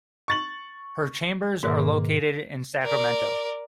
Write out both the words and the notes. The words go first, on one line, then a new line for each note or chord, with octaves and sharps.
Her chambers are located in Sacramento.
C#6 A6 F#7
G#2 B2 D#3 A#3
A#4 D5